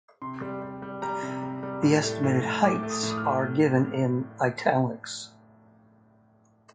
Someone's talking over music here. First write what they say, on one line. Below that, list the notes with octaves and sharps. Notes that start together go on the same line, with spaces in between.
The estimated heights are given in "italics".
C3 C6
G3
G3
G3
G3 A#5
C3
G3
G3
A2
A3
A2
A2
A3 D6
A3
D#6
A2
D#6
F6
A3